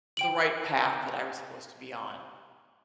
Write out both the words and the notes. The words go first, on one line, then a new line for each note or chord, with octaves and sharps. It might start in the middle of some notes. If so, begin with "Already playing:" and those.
the right path that I was supposed to be on,
G5 D7 F#7